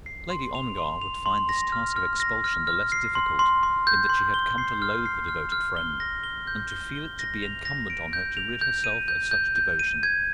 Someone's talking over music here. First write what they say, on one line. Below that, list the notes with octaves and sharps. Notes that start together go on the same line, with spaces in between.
Lady Ongar would find this task of expulsion the less difficult in that she had come to loathe her devoted friend, and to feel it to be incumbent on her to rid herself of such devotion.
C7
C6
F7
C6
F7
C6
A#6
F6
F6
A#6
F6
F6
C7
C6
C6
C6
G6
C6
G7
C7
F6
C7
F6
F6
G7
A#6
G7
G6
G7
G7
A#6
F7
A#6
D7
G6
F7
G6
D#7
G6
G6
G6
D#7
G#6